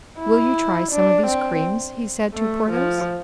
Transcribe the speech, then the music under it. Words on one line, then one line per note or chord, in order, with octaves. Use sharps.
"Will you try some of these creams?" he said to Porthos.
E4
D4
C4
A3
F3